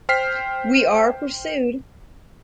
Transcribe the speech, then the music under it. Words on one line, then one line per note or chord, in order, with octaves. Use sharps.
We are pursued.
C5 G5 F6 B6 C7